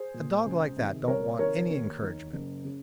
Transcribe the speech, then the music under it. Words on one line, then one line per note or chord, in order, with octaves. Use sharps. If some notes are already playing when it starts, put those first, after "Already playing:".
A dog like that don't want any encouragement.
Already playing: G#4 C5
A#2
C#2
C3 D#3
C2 A#4 C#5
C3 D#3 A#4 C#5
D#2
D#3
F#1
C#3